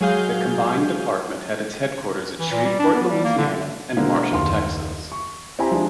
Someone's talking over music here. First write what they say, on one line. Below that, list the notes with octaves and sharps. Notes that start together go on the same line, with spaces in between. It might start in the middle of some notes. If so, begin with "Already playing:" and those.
The combined department had its headquarters at Shreveport, Louisiana, and Marshall, Texas.
F#3 G#3 G#4 F5 G6
E3
A#2
G3
D4
B3
G3
A#3
D3
B2 D3 G#3 A#3 C4
F#1 D#2 F5 C6
C#6
C4 E4 G4 G#5 A#5
F3 G#3 D4